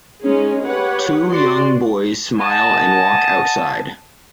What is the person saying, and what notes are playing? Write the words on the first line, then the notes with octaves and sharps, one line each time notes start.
Two young boys smile and walk outside.
G#3 C#4 D#4 G#4
G4 B4 C#5 F#5
F#4 D5 C6
D#5 F#5 G#5 A5